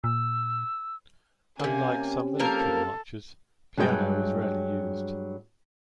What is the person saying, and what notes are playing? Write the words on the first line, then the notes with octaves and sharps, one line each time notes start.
Unlike some military marches, piano is rarely used.
A#2 E6
C3 A#3 C4 C#4 G4 G#5
F3 A#3 A4 A#4
G2 F#3 G#3 G#4 B4 G5